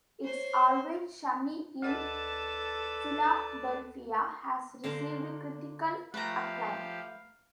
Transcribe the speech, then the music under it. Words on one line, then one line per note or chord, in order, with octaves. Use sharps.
"It's Always Sunny in Philadelphia" has received critical acclaim.
C5 C#5
D2 A4 B4 D5 D#5 A5
D3 A#3 D4 C5 F5
F3 A3 G4 B4 F5 A#5